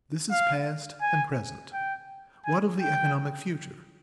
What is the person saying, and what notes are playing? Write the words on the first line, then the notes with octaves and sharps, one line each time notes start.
This is past and present; what of the economic future?
F5
G#5
G5
G#5
G5